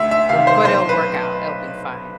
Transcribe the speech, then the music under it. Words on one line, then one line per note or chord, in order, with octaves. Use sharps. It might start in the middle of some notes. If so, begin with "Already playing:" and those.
but it'll work out, it'll be fine.
Already playing: D2 E5
E5
C3 D#3 F5
C5
B1 C5
B4